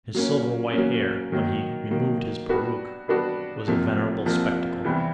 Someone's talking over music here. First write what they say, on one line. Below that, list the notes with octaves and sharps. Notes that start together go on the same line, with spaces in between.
His silver-white hair when he removed his peruke was a venerable spectacle.
F#3 A#3 C#4
F#3 A#3 C#4
D#3 F#3 A#3
D#3 F#3 A#3
G3 B3 D4 F#4
G3 B3 D4 F#4
C2 C3 F3 A#3
C2 C3 F3 A#3
E2 C3 E3 G3 C4